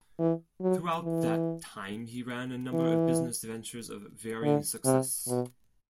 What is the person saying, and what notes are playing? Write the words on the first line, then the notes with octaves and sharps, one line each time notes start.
Throughout that time he ran a number of business ventures of varying success.
E3
F#3
E3
E3
D3
C3
B2